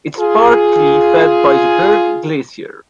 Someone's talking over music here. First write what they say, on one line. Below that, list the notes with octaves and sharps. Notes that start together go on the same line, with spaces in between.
It is partly fed by the Berg Glacier.
F4 G#4